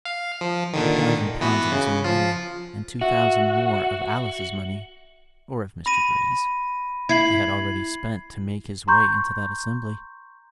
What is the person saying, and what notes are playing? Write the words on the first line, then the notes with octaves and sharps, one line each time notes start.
Two thousand pounds of his own money, and two thousand more of Alice's money,--or of Mr. Grey's,--he had already spent to make his way into that assembly.
F5
F3
A#2 D3 D#3
E3 B3 F#4
C#3
F3 F4
F#4 E5
B5 A#6 D#7
E4 G#6 C7 F#7
A#5 C6 C#6 G6